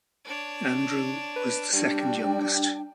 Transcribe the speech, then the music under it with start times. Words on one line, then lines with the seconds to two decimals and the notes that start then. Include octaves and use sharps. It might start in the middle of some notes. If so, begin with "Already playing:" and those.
Andrew was the second youngest.
0.25 D4 C#5
1.36 B4
1.73 G3 D4 F#4 G5